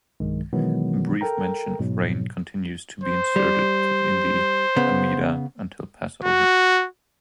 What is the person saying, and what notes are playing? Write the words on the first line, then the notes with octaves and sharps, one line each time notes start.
A brief mention of rain continues to be inserted in the "amidah" until Passover.
B1 G2 D#3 G#3
B2 D#3 E3 F#3 G#3 B3
A4 A#4 G5 A#5
G#2 B2 F#3
C5
G3
C#3 B3
F#4